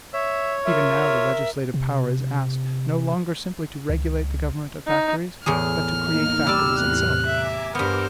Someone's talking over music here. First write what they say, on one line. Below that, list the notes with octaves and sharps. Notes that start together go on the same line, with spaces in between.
Even now the legislative power is asked, no longer simply to regulate the government of factories, but to create factories itself.
C#5 E5
F4 A#4 E5
C3
C#2
D#4
E2 A2 G#4 F6
A#3 D#4 A#5
E2 A2 C3 G3 D5 E6
F#6
E5 G#5 A#5 D6
G2 B3 A#4 C5 D6 E6 C#7